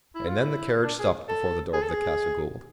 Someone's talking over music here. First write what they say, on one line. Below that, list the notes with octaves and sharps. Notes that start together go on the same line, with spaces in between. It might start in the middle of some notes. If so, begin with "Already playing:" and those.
And then the carriage stopped before the door of the Casa Gould.
E4
F4
E4
D4
G#4
A4
G#4
A4
G#4